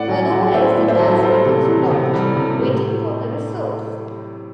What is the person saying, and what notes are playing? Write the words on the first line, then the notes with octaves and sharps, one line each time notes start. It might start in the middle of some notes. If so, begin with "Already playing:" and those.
Otherwise the task becomes blocked, waiting for the resource.
Already playing: A2 D5 F#5
F#3
F#3
A2 C5 E5
A2
C5 E5
F#3
G3 A4 C5
C3
E3
C3
G3
C3
A2